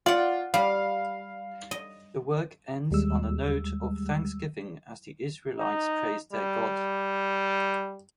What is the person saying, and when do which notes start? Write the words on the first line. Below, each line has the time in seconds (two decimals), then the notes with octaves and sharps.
The work ends on a note of thanksgiving as the Israelites praise their God.
0.06 F4 D5 F#5
0.54 G3 F5
1.71 D#5
2.91 D#2 G3 G#3 E6
5.59 D#4
6.33 G3